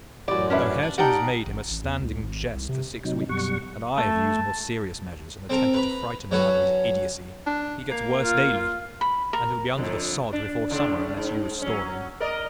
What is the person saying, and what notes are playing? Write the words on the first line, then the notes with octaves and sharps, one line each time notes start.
Though Hareton has made him a standing jest for six weeks, and I have used more serious measures, and attempted to frighten him out of his idiotcy, he gets worse daily; and he'll be under the sod before summer, unless you restore him!'
A1 F#2 D5
C#4 D4 A#4 B4 E5
C#5
D4
D#4 G4 A#4 D5 F#5 G5 A5
A1
A1
E2
C#2
G#1
C2
C3
C3 F#3 D#4
F#2 B2 G3 F#5 C#6
A3 A5
C4 A4 A#4
B4 A#5 B5
F#3 C#4 F#4 A4 B4
D4
A#3
F4
B5
A#4
F2 D3
D4
A2 C#3 D4
G#2
F#3 C#4
A#4 D5 D#5